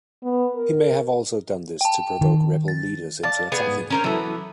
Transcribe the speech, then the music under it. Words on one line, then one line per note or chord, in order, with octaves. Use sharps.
He may have also done this to provoke rebel leaders into attacking him.
B3
A#4
G5 A5
D#3
A6
D5 F5 A5
B3 G#4
G#2
C#4 A#4 C5
E3 F#3 B3 E4 A4